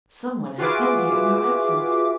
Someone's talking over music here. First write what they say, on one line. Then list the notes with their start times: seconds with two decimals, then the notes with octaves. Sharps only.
"Some one has been here in our absence."
0.58 F4 F#4 G#4 B4 E5 D6